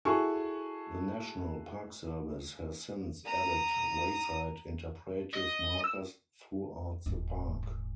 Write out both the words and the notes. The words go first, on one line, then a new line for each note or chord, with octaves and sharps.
The National Park Service has since added wayside interpretive markers throughout the park.
E4 F#4 G#4 A4 C#6
A#5 D#6
D#5
E6
D#1 G#2